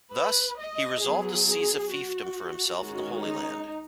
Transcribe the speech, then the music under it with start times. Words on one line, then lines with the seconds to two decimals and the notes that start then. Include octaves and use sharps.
Thus, he resolved to seize a fiefdom for himself in the Holy Land.
0.13 B4
0.57 D#5
1.02 F#3 B3 G#4
1.46 G#4
1.91 F#4
2.79 D#3 G#3 C#4 F#4
3.24 D#4